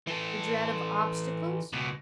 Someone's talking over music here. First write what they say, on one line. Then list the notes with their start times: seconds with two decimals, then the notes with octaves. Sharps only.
The dread of obstacles?
0.07 E3 A4
1.73 C#2 B2